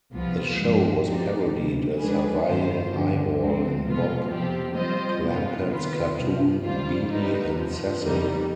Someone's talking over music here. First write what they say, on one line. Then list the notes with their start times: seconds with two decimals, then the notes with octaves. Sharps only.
The show was parodied as "Hawaiian Eyeball" in Bob Clampett's cartoon "Beany And Cecil".
0.12 C2 C3 F3 B3 F4
0.59 G2 F3 G#3
1.05 F3 C4 D#4 G4 D5
1.51 D2 C3 G3
1.98 F3 G#3 D4 G#4 B4
2.44 G2 D#3 B3 F4 C5
2.90 G2 D3 F3
3.36 F3 G#3 C4
3.83 C2 B2 B3 F4
4.30 F2 C3 F3 C4 G4
4.76 G3 C4 F4 C5 D#5
5.23 C2 C3 F3 B3 F4
5.69 C3 D#3 B3 F4 B4
6.15 C2 C3 F3
6.62 D#3 G3 D4 F4 C5
7.09 G3 C4 D#4 B4
7.55 F2 C3 F3
8.01 F2 D#3 G3 B3 D#4